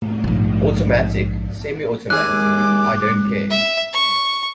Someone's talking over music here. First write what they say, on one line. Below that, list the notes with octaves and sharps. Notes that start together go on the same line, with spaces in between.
Automatic, semi automatic, I don't care.
A#1 G#2
D#2 G#4 D6 F#6
E5
C#6